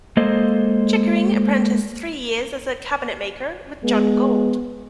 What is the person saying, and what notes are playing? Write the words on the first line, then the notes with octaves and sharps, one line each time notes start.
Chickering apprenticed three years as a cabinet maker with John Gould.
G#3 A#3 A4 C5 D#5
G#3 B3